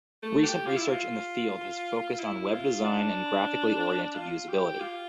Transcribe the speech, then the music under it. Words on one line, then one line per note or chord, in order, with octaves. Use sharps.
Recent research in the field has focused on web design and graphically-oriented usability.
A3
G4
F4
E4
F4
E4
F4
D4
F4
G4
F4